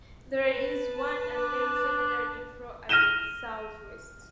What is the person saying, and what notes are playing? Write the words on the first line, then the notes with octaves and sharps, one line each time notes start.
There is one unnamed secondary inflow at the southwest.
B4 A5
D4
F6 A#6 D#7 E7 G7